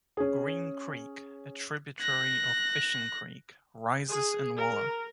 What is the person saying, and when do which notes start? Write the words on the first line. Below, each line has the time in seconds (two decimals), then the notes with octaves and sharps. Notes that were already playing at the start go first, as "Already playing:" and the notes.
Green Creek, a tributary of Fishing Creek, rises in Waller.
0.17 C#4 G#4
2.00 F#6 A#6
4.09 G#4
4.57 A#4